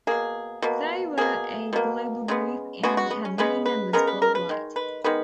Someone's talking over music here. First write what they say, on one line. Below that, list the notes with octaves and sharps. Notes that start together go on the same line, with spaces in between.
They were a global group and had many members worldwide.
B2 A#3 G#4
B2 A#3
B2 A#3 G#4
B2 A#3
C#3 G#3 B3
C#3 G#3 B3 F#4
F#4
B3
C#4
C#3 G#3 B3 B4
B4
C#3 G#3 B3 A#4
B4
A#4
B4
D#3 G#3
B4
D#3 G#3 B3 B4